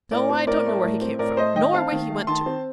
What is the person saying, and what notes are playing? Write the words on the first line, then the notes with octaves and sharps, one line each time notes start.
No, I don't know where he came from nor where he went to.
A2 A#4 D5
C4
A2 A#4 D5
A3
A2
C4
A2 A#4 D5
A3 C5 D#5
D#3 D#5 G5
C4 F5 A5
D#3
A3
D#3 A5 C6
C4